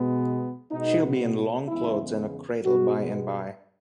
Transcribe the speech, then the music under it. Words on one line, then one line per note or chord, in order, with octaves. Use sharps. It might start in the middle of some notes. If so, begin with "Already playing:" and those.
She'll be in long clothes and a cradle by and by.
Already playing: B2 G#3 B3
B2 G#3 B3 D#4
E2 C#3 G#3 B3 E4
B2 G#3 B3 F#4